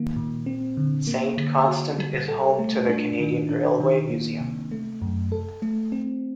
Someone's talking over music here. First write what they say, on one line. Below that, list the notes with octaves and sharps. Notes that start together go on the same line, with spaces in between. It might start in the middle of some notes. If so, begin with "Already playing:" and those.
Saint-Constant is home to the Canadian Railway Museum.
Already playing: D#3 A#3
A#2
C4
D3
A#3
D3
F#4
G3
A4
A3
D4
D#3
D4
D#3
A#3
C3
A3
F#2
A4
A3
C4